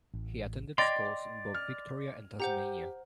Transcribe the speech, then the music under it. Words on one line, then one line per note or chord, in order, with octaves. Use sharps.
He attended schools in both Victoria and Tasmania.
A1
D5 D#5 G5 C6 D6 G#6 A#6 F7
F6
G4 C5 F#5 A#5